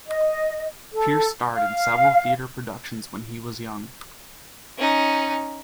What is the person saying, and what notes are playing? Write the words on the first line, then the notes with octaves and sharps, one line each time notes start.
Pearce starred in several theatre productions when he was young.
D#5
A4
F5
C#4 D#4